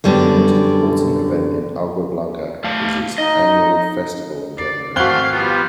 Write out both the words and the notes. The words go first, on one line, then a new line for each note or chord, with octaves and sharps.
The most important event in Agua Blanca is its annual festival in January.
F#2 D3 G3 B3 D4
A3 F5 A5
D#4 D#5
D5 C7
G#1 E3 A3 C4 F#4 F5 F#6 G7
F3 G3 B3 F4